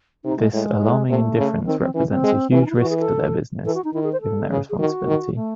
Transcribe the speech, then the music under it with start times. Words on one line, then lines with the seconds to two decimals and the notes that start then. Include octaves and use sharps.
This alarming indifference represents a huge risk to their business, given their responsibility.
0.24 C3 D#4
0.39 G#3
0.52 A2 G#3
0.81 A2
1.09 C3 A3
1.38 C#3
1.66 D#3 C4
1.80 C4
1.95 E3 C#4
2.09 C4
2.23 G#3
2.51 E3 A3
2.57 C4
2.61 C#4
2.66 D#4
2.70 E4
2.75 G#4
2.80 E3 F#4
2.90 G#4
2.99 A4
3.65 E3 A4
3.75 F#4
3.84 D#4
3.94 D#3 E4
4.03 G#4
4.12 C5
4.22 A4
4.50 C#3 G#4
4.70 G#4
4.79 D#3 F#4
5.07 D#3
5.35 A3